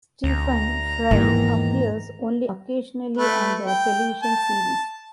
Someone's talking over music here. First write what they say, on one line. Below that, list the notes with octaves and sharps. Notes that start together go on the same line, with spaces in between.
Stephen Fry appears only occasionally on the television series.
D2 A#5
E2 G#2 D#3 E3 A#3
A3 B4
G5
A5